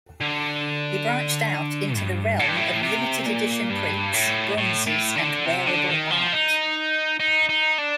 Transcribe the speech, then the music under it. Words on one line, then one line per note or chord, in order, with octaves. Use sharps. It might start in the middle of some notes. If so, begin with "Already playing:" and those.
He branched out into the realm of limited edition prints, bronzes, and wearable art.
D3
G2
A2
G2
A2
C3
A#2
G2
A2
A2
A2
D3
C3
D3
D#3
F3
D#4
D#4
D#4
D4